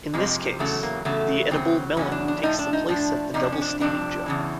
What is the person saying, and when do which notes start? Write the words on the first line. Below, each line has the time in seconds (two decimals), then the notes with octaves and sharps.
In this case, the edible melon takes the place of the double steaming jar.
0.14 F2 C3 F3 G#3
0.59 E2 C#3 F#3 A3
0.83 A#3
1.05 E2 C#3 F#3 A3
1.51 E2 C#3 F#3 C4
1.97 E2 C#3 F#3 C#4
2.12 D4
2.28 D4
2.43 A2 F3 D#4
2.59 D4
2.73 D#4
2.89 A2 F3 D4
3.34 F2 C3 F3 D#4
3.43 D4
3.52 C#4
3.61 D4
3.80 F2 C3 F3 D4
4.26 E2 C#3 E3